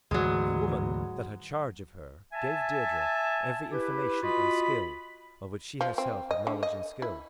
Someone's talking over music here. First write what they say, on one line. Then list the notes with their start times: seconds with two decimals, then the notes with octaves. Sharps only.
The woman that had charge of her gave Deirdre every information and skill of which she herself had knowledge and skill.
0.11 D2 G#2 E3 F#3 G#3
2.33 E5 G#5 A5
3.72 E4 G4 B4
4.22 F4 F#4 D#5 B5
5.81 F3
5.98 C4
6.31 D#5
6.47 D3
6.63 D#5
7.02 E4